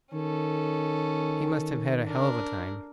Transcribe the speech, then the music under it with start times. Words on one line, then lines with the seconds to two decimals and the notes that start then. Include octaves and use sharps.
He must have had a hell of a time.
0.13 D#3 C#4 A4
2.06 D4 A#4